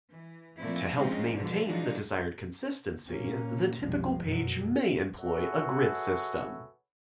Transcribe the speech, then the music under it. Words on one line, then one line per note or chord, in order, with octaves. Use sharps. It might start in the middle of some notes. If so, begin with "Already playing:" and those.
To help maintain the desired consistency, the typical page may employ a grid system.
E3
A#2 F3 A3 C4 E4
F3 G#3 C4 C#4 D#4
G#2 B2 D3 E3 F3
E3 F#3 G#3 D4 D#4 F4
A#2 A#3 C#4
F1 B1 F3 G3 G#3
F#2 B2 F#3
F#4 G#4 A4 B4 C#5 E5